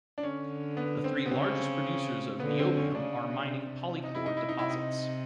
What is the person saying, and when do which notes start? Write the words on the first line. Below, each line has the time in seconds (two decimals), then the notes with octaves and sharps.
The three largest producers of niobium ore are mining pyrochlore deposits.
0.18 D4
0.23 D3 C#4
0.77 B3
1.04 C4
1.26 B3
1.31 C#3 C4
2.40 D3 B3
2.59 C4
2.76 C#4
2.95 C#3 D4
3.49 C3
4.04 D#4
4.15 E4
4.26 D#4
4.37 E4
4.49 D#4
4.58 C3 E4
4.70 D#4